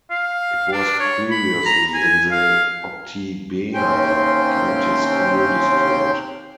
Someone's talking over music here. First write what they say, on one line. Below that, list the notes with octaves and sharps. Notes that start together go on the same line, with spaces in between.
It was previously in the Oktibbeha County School District.
F5
D4
C#5
B5
A#5
G#5
F5
D#2 C3 C4 C#4 G5 C6